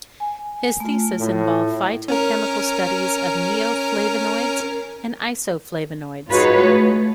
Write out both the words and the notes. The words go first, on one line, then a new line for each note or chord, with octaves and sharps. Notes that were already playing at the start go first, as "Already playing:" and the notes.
His thesis involved phytochemical studies of neoflavonoids and isoflavonoids.
G#5
A3 F4
A2
C#4 A#4
D#4 F4 F#4 G#4 B4 C#5
A3